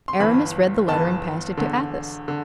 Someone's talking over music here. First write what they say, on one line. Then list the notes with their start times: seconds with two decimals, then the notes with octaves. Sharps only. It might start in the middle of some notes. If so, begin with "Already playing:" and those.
Aramis read the letter, and passed it to Athos.
0.08 C6
0.20 G1 G2 E3 B5
0.89 G1 G2 E3 A5
1.57 E1 E2 D3
2.28 D3